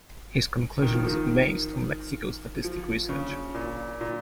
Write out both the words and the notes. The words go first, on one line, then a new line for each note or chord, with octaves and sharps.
His conclusion was based on lexicostatistic research.
D#3
F3
D#3
F3
C#3
A#2
A#2